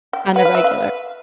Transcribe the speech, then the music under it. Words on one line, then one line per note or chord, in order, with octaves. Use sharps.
on the regular.
G5
B4 F#5
F5
E5
F5